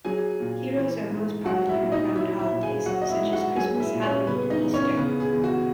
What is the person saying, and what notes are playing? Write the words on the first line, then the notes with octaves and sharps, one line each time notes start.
Heroes are most popular around holidays, such as Christmas, Halloween and Easter.
F#3 G#4 G#5
A#2
E3
G#2
F#3 F#4 F#5
E4 E5
A#2
D#4 D#5
F#3 E4 E5
E4 E5
A#2
G#4 G#5
F#3 F#4 F#5
D#5
E4 E5
G#2
F#4 F#5
F#3 G#4 G#5
E4 E5
A#2
C#4 C#5
C#3 B3 B4
D#4 D#5
E2
C#4 C#5
C#3 B3 B4
G#4
E2
F#4